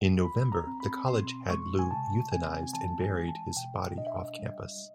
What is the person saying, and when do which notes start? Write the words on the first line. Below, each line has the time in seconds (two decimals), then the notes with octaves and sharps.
In November, the college had Lou euthanized and buried his body off campus.
0.25 C#2 B5
0.52 A#5
0.67 C4
0.80 B5
1.08 B2 C6
1.50 G#3 C#6
1.79 G#5
1.91 C3 A5
2.32 C4 G#5
2.63 G#5
2.73 E3 A5
3.01 G#5
3.15 G#3
3.29 A5
3.56 B2 G5
3.97 D4 D#5
4.07 E5
4.16 D#5
4.39 G3